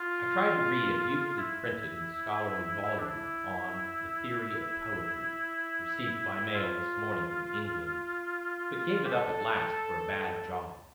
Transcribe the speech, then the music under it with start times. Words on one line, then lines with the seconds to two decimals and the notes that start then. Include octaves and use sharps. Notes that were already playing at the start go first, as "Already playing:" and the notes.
I tried to read a beautifully printed and scholarly volume on "the Theory of Poetry," received by mail this morning from England--but gave it up at last for a bad job.
Already playing: F4
1.38 E4
2.99 D4
3.10 E4
6.55 F4
9.05 G4
9.12 A4